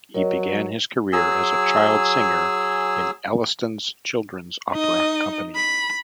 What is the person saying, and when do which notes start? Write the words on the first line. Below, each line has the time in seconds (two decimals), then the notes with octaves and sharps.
He began his career as a child singer in Elliston's Children's Opera company.
0.14 F#3 A#4 C#5 D#5
1.13 F#3 G#4 G#5 E6
4.71 D#4 D#5
5.55 B5